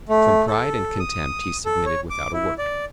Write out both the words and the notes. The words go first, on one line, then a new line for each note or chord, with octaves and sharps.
From pride and contempt he submitted without a word.
A3
A4
D#6
A4
C#5
D6
E4
D5